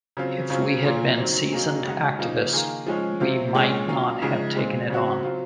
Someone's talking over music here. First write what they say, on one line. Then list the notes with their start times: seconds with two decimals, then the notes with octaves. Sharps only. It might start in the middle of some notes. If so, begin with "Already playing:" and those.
If we had been seasoned activists, we might not have taken it on.
0.17 C#3 F#3 C4 F4
0.50 C#3 F#3 C4 F4
0.85 A#2 F3 A#3
1.18 D#3 F#3 C4
1.52 D#3 F#3 A#3 D#4 G#4
1.85 C#3 G#3 D#4 F#4
2.19 C#3 F3 A#3 D#4
2.53 D#3 A#3 F4 G#4
2.87 F3 G#3 C#4 G#4
3.20 C3 F#3 C4 F4
3.55 A#2 G#3 C#4 G#4
3.88 F#3 A#3 C#4 F4
4.22 C#3 F3 G#3 D#4
4.56 A#2 G#3 C4 F4
4.90 C#3 F#3 C4 F#4
5.23 F#3 C4 F4